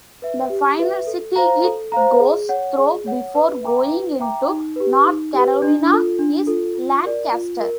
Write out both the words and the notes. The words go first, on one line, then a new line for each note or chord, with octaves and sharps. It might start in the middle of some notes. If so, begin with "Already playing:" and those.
The final city it goes through before going into North Carolina is Lancaster.
B4 E5
G4
B4 E5
A4
C5 F5 A#5
A4
C5 F5 A#5
G#4
C#5 F#5
G#4
C#5 F#5
B4
E5 G5 A#5 D6
B4
E5 G5 A#5 D6
D#4
G4 B4
D#4
G4 B4
D4
F4 A4
D4
F4 A4
F4
A#4 D5
F4
A#4